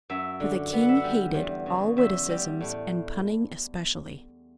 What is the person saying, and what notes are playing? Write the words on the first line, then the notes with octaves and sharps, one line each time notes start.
For the king hated all witticisms, and punning especially.
F#2 E5
D3
B3
F#5
E5
F#5
G3
E2
C#3
E2 E5
G3
A2